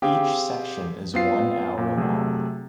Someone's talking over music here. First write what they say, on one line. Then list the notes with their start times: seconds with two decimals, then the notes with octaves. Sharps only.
Each section is one hour long.
0.02 C4 G4 G#4 F5 G5
1.14 B3 C4 F4 C7
1.78 A#2
1.97 C3 F#3 A3 G#4